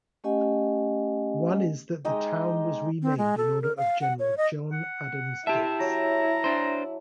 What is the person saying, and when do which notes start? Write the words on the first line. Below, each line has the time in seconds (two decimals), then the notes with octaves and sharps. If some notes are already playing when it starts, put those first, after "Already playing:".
One is that the town was renamed in honor of General John Adams Dix.
0.24 A3 C#4 G4 D#5 F#5 G#5
2.05 G#3 D#4 G4 D#5
3.02 C4
3.18 G#3
3.37 A4
3.62 A#4
3.77 F5
4.01 F#5
4.19 C#5
4.37 D#5
4.73 F#5
5.47 E4 G4 E5 A5
5.80 F#3 A#5
6.44 D4 C5